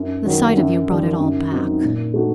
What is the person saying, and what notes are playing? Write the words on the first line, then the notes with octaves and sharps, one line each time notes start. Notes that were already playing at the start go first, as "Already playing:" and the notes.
The sight of you brought it all back.
Already playing: F#2
D#3 F#3
F#2
D#3 G3
F#2
F#3 C4 D#4
A#2
A3 D#4 F#4